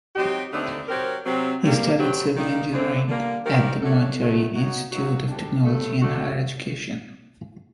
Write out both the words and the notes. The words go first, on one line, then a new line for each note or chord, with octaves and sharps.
He studied civil engineering at the Monterrey Institute of Technology and Higher Education.
F#3 C4 D#4 G4
D#2 D3 A3 C4 D#4
F#3 C4 G4 A#4
C3 F#3 C4
C3 G3 A#3
G2 F#3 C4 G4
D#3 G3 A#3 D#4
F#2 D3 A3 C4
D3 G3 A#3
D#3 G3 C4 G4 A#4
F#3 A3 D4 F#4 A4
C3 D#3 F#3 A3
F#3 A#3 D#4 F#4
C3 F#3 A#3 D#4 F#4
D2 C3 G3 D4
G2 F#3 A3
D2 D3 A3 D4 F#4